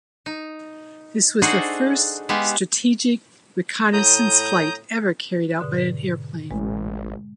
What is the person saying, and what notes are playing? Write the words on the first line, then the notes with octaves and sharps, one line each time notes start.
This was the first strategic reconnaissance flight ever carried out by an airplane.
D#4
D4 D#4 F#4 G#4 A4 C5
G#3 B3 G4 F5
A2 A#5 D#6 G6
G#2 B2 D3
A1 G#3